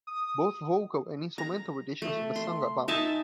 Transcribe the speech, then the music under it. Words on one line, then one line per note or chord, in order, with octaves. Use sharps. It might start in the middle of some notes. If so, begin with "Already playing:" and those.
Both vocal and instrumental renditions of the song abound.
D#6
A#5
A3
C6
D#4 E5 G#5 A5